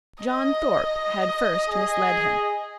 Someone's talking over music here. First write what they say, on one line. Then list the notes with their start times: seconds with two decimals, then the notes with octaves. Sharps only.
John Thorpe had first misled him.
0.24 D#5
1.69 G#4